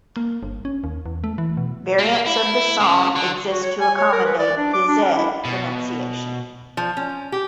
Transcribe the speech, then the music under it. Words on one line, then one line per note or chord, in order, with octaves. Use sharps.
Variants of the song exist to accommodate the "zed" pronunciation.
A#3
G1
C#4
D#2
E2
A3
E3
B2
A#3
E4
C#3
D3
F#4
C#5
G#5
C#5
A#4
B4
D5
D4
D6
D4
C#4
E4
B2
F3
C#4
G4